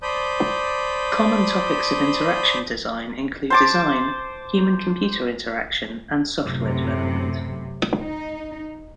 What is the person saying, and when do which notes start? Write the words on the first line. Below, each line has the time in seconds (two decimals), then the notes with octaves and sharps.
Common topics of interaction design include design, human-computer interaction, and software development.
0.02 C5 D5 A5 B5 D#6 G6
3.50 C5 A5 D6
6.39 F#2 A2 C3
7.98 D#4